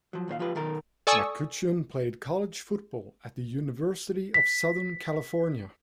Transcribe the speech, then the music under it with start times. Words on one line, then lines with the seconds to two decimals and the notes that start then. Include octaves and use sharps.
McCutcheon played college football at the University of Southern California.
0.13 F3 F#3
0.28 D#2 A#2 C5 F5
0.39 F3 F4 G4 B4
0.55 B1 D#3 A4 A#4
1.07 A4 D5 G#5 C#6 D#6 E6
4.34 B6